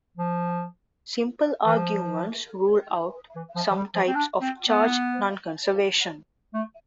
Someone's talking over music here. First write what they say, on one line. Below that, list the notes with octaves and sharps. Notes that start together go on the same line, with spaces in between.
Simple arguments rule out some types of charge nonconservation.
F3
E3
F3
E3
F3
F3
G3
F3
C4
D4
C4
B3
A3